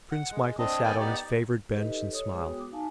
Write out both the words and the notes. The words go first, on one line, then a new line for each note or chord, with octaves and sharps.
Prince Michael sat on his favourite bench and smiled.
F#5
G#3
C4 D4 D#5
D#3 B3 D5 G5 G#5
B3 D#4 G4 D5
D#4 G4 A4 B4 D#5
A4 C#5 D#6
G#3 G#4 B4 C#5
B3 F#4 G5 D#6
D6
D#4 F5 G#5 A5